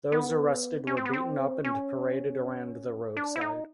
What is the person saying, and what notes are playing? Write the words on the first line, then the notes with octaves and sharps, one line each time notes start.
Those arrested were beaten up and paraded around the roadside.
B3
C#4
C4
B3
C4
C#4
D4
E4
D#4